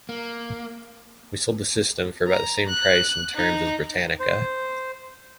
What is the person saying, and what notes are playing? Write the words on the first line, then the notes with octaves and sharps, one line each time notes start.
We sold the system for about the same price and terms as Britannica.
A#3
A#5
F#6
D#4
C5